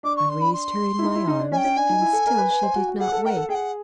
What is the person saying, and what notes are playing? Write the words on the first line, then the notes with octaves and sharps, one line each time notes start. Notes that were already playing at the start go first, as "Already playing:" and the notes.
I raised her in my arms, and still she did not wake.
D4 D6
C#6
C6
B5
C6
E4
D#4
E4
D#4
D4
C#4 G#5
G5
C#4
D4 G#5
D#4
E4
A4
A#4
B4
B4
C5
F#4
F#4
G#4 F#5
A4
A#4 G5
F#5
A4
G#4 G5
F#5